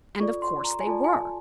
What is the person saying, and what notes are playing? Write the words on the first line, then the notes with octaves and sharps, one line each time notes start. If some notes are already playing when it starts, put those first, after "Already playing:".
And of course they were.
F4 A4 D5 C#6
C6
A#5
G#5
F4 A4 D5 A5
G#5
A5